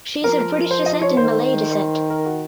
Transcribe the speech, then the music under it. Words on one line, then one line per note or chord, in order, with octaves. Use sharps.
She is of British descent and Malay descent.
F3 A#4
C5
D#5
C#5
D#3 C5
A#4
F#4